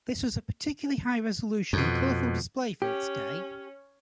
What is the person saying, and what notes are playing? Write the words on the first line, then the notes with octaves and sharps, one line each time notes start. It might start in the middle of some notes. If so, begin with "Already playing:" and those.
This was a particularly high-resolution and colorful display for its day.
F2 B2
C#4 G4